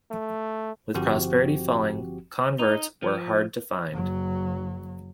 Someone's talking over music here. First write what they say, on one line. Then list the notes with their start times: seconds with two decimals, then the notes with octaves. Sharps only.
With prosperity falling, converts were hard to find.
0.11 A3
0.94 G1 F3 C4 F#4 G4
2.60 D#4
3.03 F3
3.92 F#1 F#3